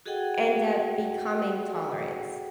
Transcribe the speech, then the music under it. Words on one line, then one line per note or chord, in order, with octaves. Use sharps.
end up becoming tolerance,
F#4 G#4 A4 D#5 F#5 G5